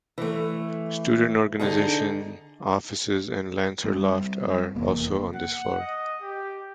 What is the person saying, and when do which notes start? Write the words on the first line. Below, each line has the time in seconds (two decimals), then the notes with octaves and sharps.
Student organization offices and Lancer Loft are also on this floor.
0.18 E3 A3
1.60 D3 D#4 G#4
3.84 G3 C4
4.75 F1 E2 A#3
5.35 F#5
5.80 D#5
6.22 G4